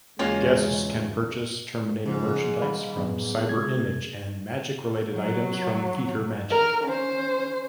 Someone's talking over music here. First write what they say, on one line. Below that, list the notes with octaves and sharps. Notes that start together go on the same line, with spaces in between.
Guests can purchase Terminator merchandise from "Cyber Image" and magic-related items from "Theatre Magic".
E2 C#3 G#3 A#3 C#4 F4 F#4
G#2 C#3 F3
D#3 F3 G3 F5 B5
A2 F3 F#3 B3
C3 G#3 G#6
F#3
A#4
C#4 C5